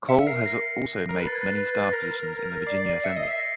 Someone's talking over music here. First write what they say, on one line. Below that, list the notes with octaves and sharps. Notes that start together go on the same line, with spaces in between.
Cole has also had many staff positions in the Virginia Assembly.
E5 C#7
C#7
A#4 C7
A#6
A#4
B4 A#6
A6
G#6
A6
A6
A#4 A#6
D5 C7
E5 C#7
D#5
C7
E5 B6
A#6